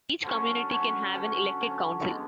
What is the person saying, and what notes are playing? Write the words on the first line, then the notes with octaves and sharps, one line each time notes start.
Each community can have an elected council.
D3 F#3 C#4
D3 F#3 C#4
D3 F#3 C#4
D3 F#3 C#4
D3 G#3 B3 D4